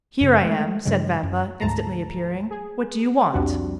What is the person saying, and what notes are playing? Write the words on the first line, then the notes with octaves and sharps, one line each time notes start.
"Here I am," said Vampa, instantly appearing; "what do you want?"
F#2 C#3
G#3 A3
G2 C#3 F#3 G#3
F#2
D2 G#2 A3 A5 A#5
G#4
C2 F2 C3 G3 D4 F#4